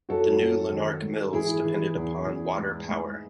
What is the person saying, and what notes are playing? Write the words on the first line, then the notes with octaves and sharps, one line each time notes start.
The New Lanark mills depended upon water power.
F#2 F#4 A4
F#2
D#3
G#2
E3 E4 G#4
E3
E2
E2
G#2
G#2